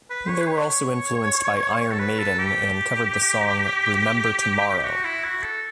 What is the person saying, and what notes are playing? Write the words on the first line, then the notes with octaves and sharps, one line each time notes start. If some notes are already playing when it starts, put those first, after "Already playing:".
They were also influenced by Iron Maiden, and covered the song Remember Tomorrow.
B4
C#5
B4
C#5
C#5
A4
B4
A4
G4
G4
F#4
E4
F#4
A4